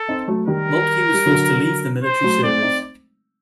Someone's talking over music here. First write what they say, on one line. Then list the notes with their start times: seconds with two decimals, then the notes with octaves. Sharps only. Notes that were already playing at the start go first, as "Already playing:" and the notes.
Moltke was forced to leave the military service.
Already playing: A4
0.09 C4 D#4
0.28 F#3 A3
0.47 D#3 G3 A#4
1.14 G3
1.26 D3 F#3
2.04 C5
2.23 F#3 A3
2.43 A3 C4 D5
2.62 C4 D#4